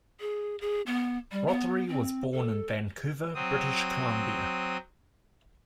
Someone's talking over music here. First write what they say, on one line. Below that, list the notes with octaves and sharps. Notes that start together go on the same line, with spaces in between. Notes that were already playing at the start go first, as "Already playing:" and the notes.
Rothery was born in Vancouver, British Columbia.
G#4
G#4
B3
G3
B3
C4
A4
F#3 C4 D#6